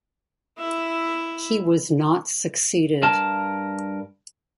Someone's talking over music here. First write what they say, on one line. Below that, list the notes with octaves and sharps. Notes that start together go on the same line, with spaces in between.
He was not succeeded.
E4 E5
G2 A#4 A5